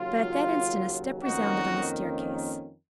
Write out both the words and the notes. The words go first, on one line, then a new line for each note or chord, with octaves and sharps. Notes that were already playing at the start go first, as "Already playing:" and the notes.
But at that instant a step resounded on the staircase.
Already playing: D#2 C#3 F#3 F4
F2 D#3 A#3 C#4 D#4 F#4